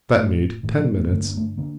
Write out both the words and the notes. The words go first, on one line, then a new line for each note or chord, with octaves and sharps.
That made ten minutes.
A2 A3
A2 D#3
F3
A3
G2 D3 A3
A#3
A3
D3 A#3